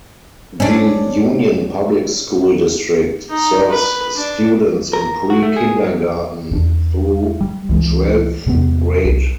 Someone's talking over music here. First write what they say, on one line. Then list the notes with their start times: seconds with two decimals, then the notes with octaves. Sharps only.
The Union Public School District serves students in pre-kindergarten through twelfth grade.
0.60 C#4 D4
3.30 D#4
3.69 B4
4.16 D4
4.93 A#4
5.30 F#4
5.43 A3
5.56 G#4
6.51 E2 C#4 D4
7.41 G3
7.69 C#2 E3 G#3
8.46 E2 C3 A#3 B3
9.05 C2